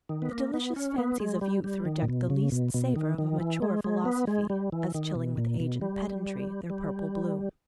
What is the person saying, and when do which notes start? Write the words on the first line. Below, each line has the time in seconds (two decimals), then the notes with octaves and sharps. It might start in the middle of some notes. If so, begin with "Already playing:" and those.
The delicious fancies of youth reject the least savor of a mature philosophy, as chilling with age and pedantry their purple bloom.
0.09 D#3
0.22 B3
0.32 A#3
0.54 B3
0.76 C#4
0.98 B3
1.20 G#3
1.41 G3
1.64 G3
1.85 D#3
2.02 A#2
2.08 B2
2.30 C#3
2.52 B2
2.74 B2
2.96 D#3
3.18 D#3
3.40 E3
3.62 G#3
3.84 G#3
4.05 B3
4.27 G#3
4.50 G3
4.72 E3
4.94 D#3
5.15 B2
5.37 A#2
5.60 B2
5.81 G3
6.70 G3